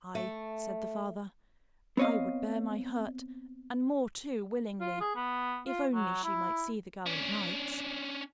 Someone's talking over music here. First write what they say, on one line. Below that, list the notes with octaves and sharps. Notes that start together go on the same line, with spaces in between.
"Aye," said the father, "I would bear my hurt, and more too, willingly, if only she might see the gallant knights."
A3
B3 C4 C#5 D#5 F5
F4
G#4
B3
F4
F#3
E4
C#4 D4